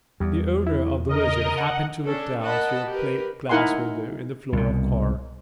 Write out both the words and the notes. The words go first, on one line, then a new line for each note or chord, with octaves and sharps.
The owner of the WHIZZER, happened to look down through a plate-glass window in the floor of car.
E2 G3
E4
C#3 A#4 D#5
F#5
C#4 D4 A4
A#4 D#5 F#5 A5 B5
G4 A#4 B4
D#4 E4 A#4 F#5 G#5 C6
C2 B2